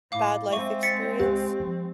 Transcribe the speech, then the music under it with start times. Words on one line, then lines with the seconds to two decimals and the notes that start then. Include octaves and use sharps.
bad life experience.
0.12 A2 F5 D6
0.53 G#3 C4 E5 C#6
0.83 A6 B6 C#7
1.20 C#2 G4
1.60 F3